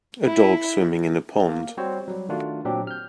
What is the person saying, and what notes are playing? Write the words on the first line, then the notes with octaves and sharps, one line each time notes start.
A dog swimming in a pond.
E4
A#3
G3 C4 F#4 C5 C#5
F#3 G3
D#3 A3 D4 F4 F#4
A#2 F#3 C4 D4 G4
F6 G6